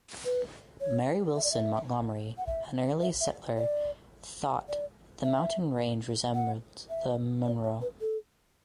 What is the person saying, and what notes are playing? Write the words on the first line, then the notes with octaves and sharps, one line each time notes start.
Mary Wilson Montgomery an early settler thought the mountain range resembled the Munro.
B4
C#5
E5
D5
E5
F#5
E5
E5
E5
D5
D5
E5
F#5
E5
D5
C#5
B4
A4